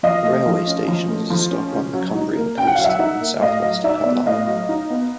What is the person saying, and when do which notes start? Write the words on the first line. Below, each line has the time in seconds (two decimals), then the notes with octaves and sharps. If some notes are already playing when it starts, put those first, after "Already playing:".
The railway station is a stop on the Cumbrian Coast Line south-west of Carlisle.
0.03 F3 D#5 F5
0.24 A3
0.46 F3
0.67 C#4
0.88 F3
1.08 A3
1.30 F3
1.51 C#4
1.72 C#3
1.93 F#3
2.15 D#4
2.37 A#3
2.57 C#3 G5
2.67 F#5
2.75 F#3 F5
2.84 E5 F#5
2.99 D#4
3.21 A#3
3.41 A2 D#5 F5
3.63 F#3
3.84 D#4 D5 E5
4.05 B3
4.26 A2 D#5 F5
4.47 F#3
4.69 D#4
4.90 B3